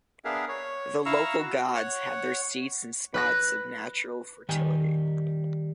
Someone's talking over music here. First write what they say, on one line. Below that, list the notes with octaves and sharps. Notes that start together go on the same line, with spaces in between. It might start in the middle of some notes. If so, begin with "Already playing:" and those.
The local gods had their seats in spots of natural fertility.
B3 D4 G#4 A#4 E5 F5
C#5
E4 F5 A#5 C#6 E6
F#4
C#5 F#5
B4 F#6 A#6
D#3 G3 G5 G#5